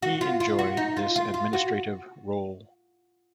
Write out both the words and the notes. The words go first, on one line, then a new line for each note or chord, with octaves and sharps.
He enjoyed this administrative role.
F#4
F4
F4
F#4
D#4
F4
F4
F4
F#4